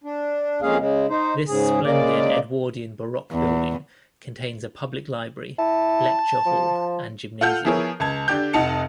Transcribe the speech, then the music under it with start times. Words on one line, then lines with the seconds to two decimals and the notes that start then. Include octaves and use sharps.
This splendid Edwardian Baroque building contains a public library, lecture hall and gymnasium.
0.04 D4
0.62 F2 G#3 A#3 C#4 G#4 F5
0.78 C#3 G#3
1.10 D#4 C5
1.48 G#2 C#3 G#4
1.84 C#3 G#3 A#3 D5
3.32 E2
5.59 E4 A5
6.46 F3
7.41 F4 A4 F#5 F6 G6
7.65 F3 B3 E4 G#4 A#4 C#5
8.00 C#2 A5 G#6
8.28 D3 D4 G4 G6
8.53 F1 D#4 F#5 A5 C#7 F7